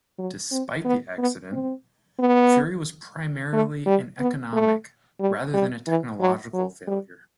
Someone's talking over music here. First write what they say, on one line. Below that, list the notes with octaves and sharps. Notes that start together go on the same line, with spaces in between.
Despite the accident, Fury was primarily an economic rather than a technological failure.
F#3
C4
B3
B3
C4
B3
A3
G3
B3
A3
G3
G3
E3
F#3
F#3
G3